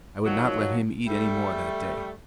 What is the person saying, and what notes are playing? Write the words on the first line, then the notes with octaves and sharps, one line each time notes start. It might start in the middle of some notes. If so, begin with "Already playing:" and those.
I would not let him eat any more that day.
D#3 F3 F#3
G3 A3